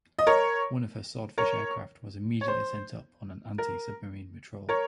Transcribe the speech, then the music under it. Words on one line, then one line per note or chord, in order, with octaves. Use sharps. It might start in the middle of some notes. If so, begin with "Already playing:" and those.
One of her Swordfish aircraft was immediately sent up on an anti-submarine patrol.
D#5
A#4 C#5
A#4 C#5
C#5
C5
A#4
A#4 C#5